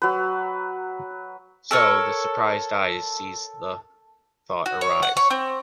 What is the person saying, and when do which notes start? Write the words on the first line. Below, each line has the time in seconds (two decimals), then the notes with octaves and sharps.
So, the surprised eye sees the thought arise.
0.02 F#3 B4
1.71 A4 A#4 C#5
4.66 F#4
4.81 C#5
5.03 F#5
5.17 C#5
5.30 C4